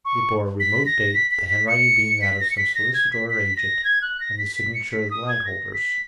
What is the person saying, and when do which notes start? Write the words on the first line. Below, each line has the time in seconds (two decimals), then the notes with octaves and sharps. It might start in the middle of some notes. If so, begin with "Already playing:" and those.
It bore a remote date, the handwriting being that of some solicitor or agent, and the signature the landholder's.
0.05 C#6
0.60 B6
0.86 A#6
1.14 B6
1.31 B6
1.49 B6
1.68 C#7
2.22 B6
2.40 A#6
2.51 C#7
2.57 B6
2.75 A#6
2.94 G#6
3.12 B6
3.30 B6
3.57 A#6
3.85 G#6
4.02 F#6
4.20 A#6
4.38 B6
4.56 B6
4.74 C#7
4.92 B6
5.11 D#6
5.29 G#6
5.46 A#6
5.73 B6